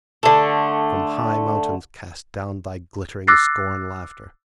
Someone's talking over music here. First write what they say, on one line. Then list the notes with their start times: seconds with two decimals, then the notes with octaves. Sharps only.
From high mountains cast down thy glittering scorn-laughter!
0.23 D3 A3
3.27 D6 E6 F#6 A6 A#6 C7